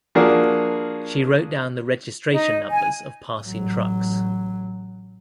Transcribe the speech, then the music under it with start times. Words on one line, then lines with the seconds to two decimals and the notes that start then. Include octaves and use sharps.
She wrote down the registration numbers of passing trucks.
0.15 F3 A#3 D4 F#4 G#4 A#4
2.32 D#4
2.70 G#5
3.43 A1 F#3